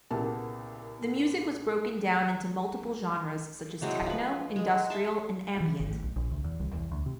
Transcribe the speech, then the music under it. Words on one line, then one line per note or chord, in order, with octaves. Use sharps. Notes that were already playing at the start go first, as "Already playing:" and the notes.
The music was broken down into multiple genres such as techno, industrial, and ambient.
C2 A#2 C#3 B3 A5
E3 F#3 G#3 C4
F3 B4
G#3 D#5
E5 A5 C6
E3
G#1
A1
B1
A#1
D2
E2
C2
E2
D2
C3